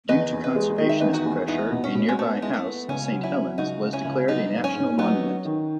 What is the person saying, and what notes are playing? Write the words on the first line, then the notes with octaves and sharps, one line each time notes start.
Due to conservationist pressure, a nearby house, Saint Helen's, was declared a national monument.
E2 B4 D#5
E2
B4 D#5
G#3
D#3 D#5
E5
E2 B4 D#5
D#4 F#4
E2
B3 D#4 E4
B2
C#4
B2
G#3
A3 B3
G#3 E4
A3
B3
C#2 C#4
F#3
C#4 E4
F#3
C#2 D#4 F#4
C#2
C#4 E4
C#2
F#3 B3 D#4
G#2
C#4
G#2
F#3 B3 D#4
C#4
D#3